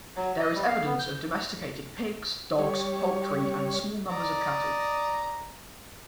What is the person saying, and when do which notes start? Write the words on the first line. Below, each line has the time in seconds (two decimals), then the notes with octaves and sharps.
There is evidence of domesticated pigs, dogs, poultry, and small numbers of cattle.
0.16 F#3
0.40 D#5
0.55 G3
0.68 F5
0.86 B3
0.99 G6
2.59 G3 C#5
4.09 D5 D#5 A#5